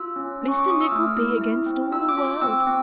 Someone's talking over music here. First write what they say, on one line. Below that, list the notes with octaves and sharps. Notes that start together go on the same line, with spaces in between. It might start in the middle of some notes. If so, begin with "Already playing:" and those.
Mr Nickleby against all the world.
Already playing: F4 E6
C#4
C#4
C#6
D6
F4 D#6
E6
A3 F6
E4
E4
C4
F4 E6
D6
F4
D6
C4 E6
C4